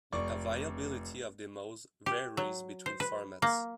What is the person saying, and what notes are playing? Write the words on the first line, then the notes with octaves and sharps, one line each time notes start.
The availability of demos varies between formats.
F1 D5 C#6
G4
F#3
C5
B4
A#3